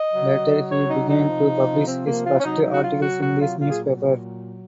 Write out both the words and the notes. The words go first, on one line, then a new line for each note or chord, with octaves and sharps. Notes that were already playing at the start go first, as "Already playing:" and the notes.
Later he began to publish his first articles in this newspaper.
Already playing: D#5
C#3 F#3
C#5
D#4
D#4
C3 F3
C4
A#3
F4
C#4
C3 F#3 D#4
D#4
F#4
F4
F#4
F#4
F4
A#2 F#3 F4
G#4